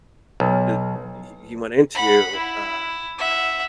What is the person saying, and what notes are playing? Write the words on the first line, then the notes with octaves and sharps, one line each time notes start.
that he he went into, uh,
B1
F#5 B5
E4
E5 F#5